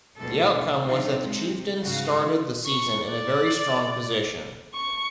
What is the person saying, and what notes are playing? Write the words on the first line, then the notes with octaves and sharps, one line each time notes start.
The outcome was that the Chieftains started the season in a very strong position.
D2 B2 D3 A4
D4
E3 F#3 C4 D4 D#4 F4
C3 G#3
G#2 C#3 F#4 F5
C#6
D5
C#6